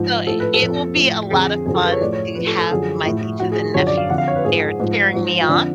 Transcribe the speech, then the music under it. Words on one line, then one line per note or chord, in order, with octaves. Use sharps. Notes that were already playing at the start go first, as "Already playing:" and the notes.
so it will be a lotta fun to have my nieces and nephews there cheering me on,
Already playing: G#2 F3
A2 F3 A4
B4
A4
F2 F3
A2 F3
F2 D3 F3 G#4
F#2 D3 F3 G#4
A4
B4
C#5
A2 F3 D5
C#5
A2 F3 B4
A4
A4
F#2 D3 F3 G#4
A2 F3
A2 F3 F#4
G#4
F#2 D3 F3 C#5
D5
F5
F2 D3 F3 F#5
F5
C#5
B4
G#2 F3 G#4
G#2 F3
G#2 F3
F4
F2 D3 F3 D4